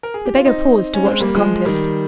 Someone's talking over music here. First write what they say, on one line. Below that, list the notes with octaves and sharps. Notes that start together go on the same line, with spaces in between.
The beggar paused to watch the contest.
A#4
G#4
G4
F4
C4 D#4
C#4
G#3 C4
G3 A#3
F3 G#3
D#3 G3